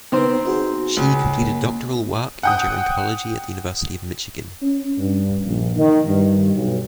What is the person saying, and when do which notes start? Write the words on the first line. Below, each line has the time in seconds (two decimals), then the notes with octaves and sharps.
She completed doctoral work in gerontology at the University of Michigan.
0.12 D#3 B3 C4 B4 C5
0.45 D#4 F#4 G#4
0.97 C#2
1.37 A#3
2.43 F#5 G5 D#6
4.62 C#4
4.97 G2
5.44 A#1
5.76 D#3
6.06 G2
6.55 B1